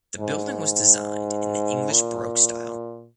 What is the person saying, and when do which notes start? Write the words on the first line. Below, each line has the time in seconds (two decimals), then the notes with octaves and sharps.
The building was designed in the English Baroque style.
0.20 G#2
1.91 A#2